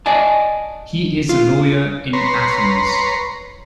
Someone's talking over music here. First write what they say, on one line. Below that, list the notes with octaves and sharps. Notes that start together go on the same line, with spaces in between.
He is a lawyer in Athens.
D5 D#5 G#5 A5
F4
B4 C#5 A#5 C6